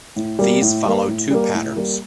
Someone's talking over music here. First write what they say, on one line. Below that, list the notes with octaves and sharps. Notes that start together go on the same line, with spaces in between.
These follow two patterns.
A2
G3 A#3
A2
G3 A#3
A2
G3 A#3
A2
G3 A#3